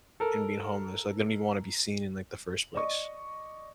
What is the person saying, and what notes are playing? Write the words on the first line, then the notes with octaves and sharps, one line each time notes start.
in being homeless, like, they don't even wanna be seen in, like, the first place.
A4 A#4
D5 D#5 C#6